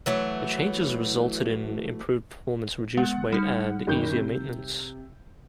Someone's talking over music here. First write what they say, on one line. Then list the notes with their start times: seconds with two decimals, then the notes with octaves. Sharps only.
The changes resulted in improved performance, reduced weight, and easier maintenance.
0.06 E3 F#3 A3
2.97 G#3 B3 F#5
3.32 G3 D#4
3.87 F#1 D#3 G6
4.15 C3